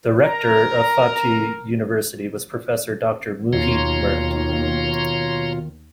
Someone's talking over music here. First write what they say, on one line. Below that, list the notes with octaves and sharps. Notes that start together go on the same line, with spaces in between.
The rector of Fatih University was Professor Doctor Muhit Mert.
A#4 A#5
D#2 B2 D#3 F4 C#5 A#5 C6